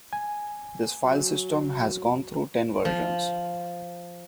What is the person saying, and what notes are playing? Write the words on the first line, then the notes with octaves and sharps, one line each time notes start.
This file system has gone through ten versions.
G#5
F#3
F3